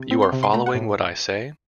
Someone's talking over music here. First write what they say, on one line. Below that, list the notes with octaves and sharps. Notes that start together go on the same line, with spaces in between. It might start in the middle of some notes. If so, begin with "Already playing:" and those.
You are following what I say?
Already playing: C3
C4
C6
C3
C6
A3 A#5
F#5
A2